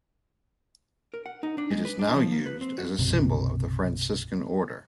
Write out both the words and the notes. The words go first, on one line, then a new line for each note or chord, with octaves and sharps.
It is now used as a symbol of the Franciscan Order.
A#4
F#5
D#4
D4
G#3
B4
D4
F3
A#3
B4
C4
F#4
F#1 B1 C3